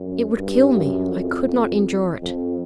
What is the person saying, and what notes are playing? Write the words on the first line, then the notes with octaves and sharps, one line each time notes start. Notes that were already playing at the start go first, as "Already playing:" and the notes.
It would kill me; I could not endure it.
Already playing: F#2
G2
F#2
F2
F2